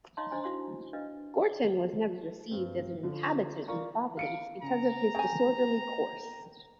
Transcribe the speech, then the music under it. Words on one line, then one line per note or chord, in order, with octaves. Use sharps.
Gorton was never received as an inhabitant in Providence because of his disorderly course.
D#4 C#5 D#5 F5 A#5 C6
D4 C5 D#5 G#5 A#5 C6
E4 F#4 F5 C6
D4 B4 D#5 F5
G2 C4
D3 F3
F4 A#4 D5 F5 A#5 C#6
F5 C#7 D7
C#3 A#5
C#3 G5 G#5